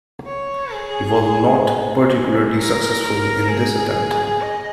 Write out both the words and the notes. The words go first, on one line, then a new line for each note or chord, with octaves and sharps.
He was not particularly successful in this attempt.
C#5
G#4
G#4
A#4
A#4
G#4
D#5